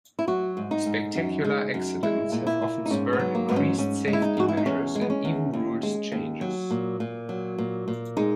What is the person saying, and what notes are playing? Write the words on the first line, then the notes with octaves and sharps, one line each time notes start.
Spectacular accidents have often spurred increased safety measures and even rules changes.
E4
F#3 F#4
G#2
D#4
G#2
F#2
G#3
F#2
G#3 E4
A#2
E4
A#2
D#4
G#2 C#4
B3
F#3
A#3
G#2 B3
C#4
G#2 C#4
G#3
E4
D#4
G#2 F#4
E4
D#4
E2 C#4
G#3
B3
C#4
E2
D#2
G#3
D#2
F#3
A#2
A#2
F#3
A#2
A#2
G#3 D#4